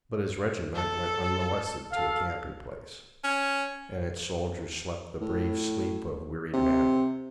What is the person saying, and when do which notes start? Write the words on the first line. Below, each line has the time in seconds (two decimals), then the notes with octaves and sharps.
But his regiment went unmolested to a camping place, and its soldiers slept the brave sleep of wearied men.
0.75 A4
1.93 A4 F5
3.24 C#4
5.21 A2
6.54 C3